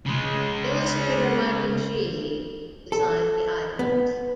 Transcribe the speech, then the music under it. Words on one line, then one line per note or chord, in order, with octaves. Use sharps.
Illustrator Michael Sheehy designed the idents.
C#3 G#3
A4
B3